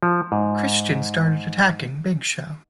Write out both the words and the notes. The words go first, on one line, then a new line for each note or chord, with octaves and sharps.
Christian started attacking Big Show.
F3
G#2